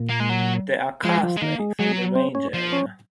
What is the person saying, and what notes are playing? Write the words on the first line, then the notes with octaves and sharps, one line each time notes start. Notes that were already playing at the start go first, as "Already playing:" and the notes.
There are karst lakes in the range area.
Already playing: A#2
A#3
G#3
F#3
F3 G#3
F3
G#3
D#3 A#3
G#3
F#3 G#3
C4
C#4
F3
C#4